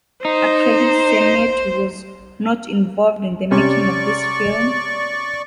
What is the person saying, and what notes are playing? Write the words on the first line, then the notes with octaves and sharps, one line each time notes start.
Actually, Sennett was not involved in the making of this film.
D#4 C5
C3 C#4 D5 C#6